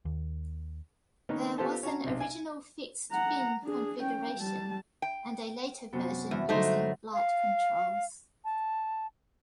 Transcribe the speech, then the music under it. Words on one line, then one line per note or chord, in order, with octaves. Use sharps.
There was an original fixed-fin configuration and a later version using flight controls.
D#2
D#3 A#3 B3 C#4 D#4
B3 F4 G4 A4 C5 A5
C#4 F#4 A5 A#5
B1 C3
G#5
F#5 A#5
D4 G#4
C#4 G5
G3 A5
G5
F#2 C3 B3
E2
G2 D3 F#3 A3 D#4 C5
F5
A5